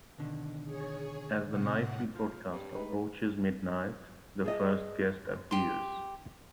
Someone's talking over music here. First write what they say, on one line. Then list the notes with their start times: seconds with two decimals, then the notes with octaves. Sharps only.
As the nightly broadcast approaches midnight, the first guest appears.
0.18 B2 D3 D#3
0.64 G#4 C#5
1.48 A2 C3 F#5
2.14 F3
2.51 G2
2.76 G#3 A3 D#4 B4
4.44 G#4 A4 D#5
5.51 G4 C6